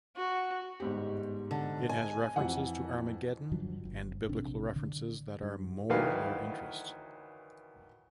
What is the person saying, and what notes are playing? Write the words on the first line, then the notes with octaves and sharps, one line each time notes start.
It has references to Armageddon and biblical references that are more their interest.
F#4
G1 G#2 G4
D3
G#5
F2 E3 F#5
G2 D3 F3 F#3
G1
A#1 C3 D4
D3
G2
D2 D#3 E3 F#3 B4 F5